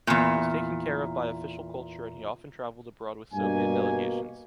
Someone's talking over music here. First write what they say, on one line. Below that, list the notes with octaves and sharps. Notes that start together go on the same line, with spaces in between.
He was taken care of by official culture and he often travelled abroad with Soviet delegations.
E2 A#2
G2 B2 A#3 G#5